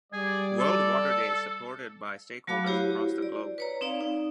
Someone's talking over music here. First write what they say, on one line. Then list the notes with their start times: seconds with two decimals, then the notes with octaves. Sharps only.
World Water Day is supported by stakeholders across the globe.
0.13 G3 G#4 D5
0.59 A4
2.47 F#3 A3 F#4 F5 B5 D6
2.66 E4 F#4 G4 C5 C#5
3.22 D5
3.58 B4 C#5 A#5
3.81 C4 D#4 D5 F5
4.01 D#4